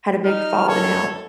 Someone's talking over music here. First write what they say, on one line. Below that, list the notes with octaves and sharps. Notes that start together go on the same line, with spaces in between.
had a big falling out.
D#4 F6
A4 C#5